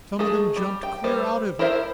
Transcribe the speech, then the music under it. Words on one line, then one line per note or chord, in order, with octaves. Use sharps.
Some of them jumped clear out of it.
G#3 A3 G#4
G3
G5
G3 B4 C5
E4 A#4 C5 C#5 E5